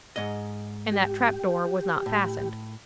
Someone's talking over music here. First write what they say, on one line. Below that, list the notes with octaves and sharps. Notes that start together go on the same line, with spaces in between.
And that trap-door was not fastened.
G#2 D#5
G4
A2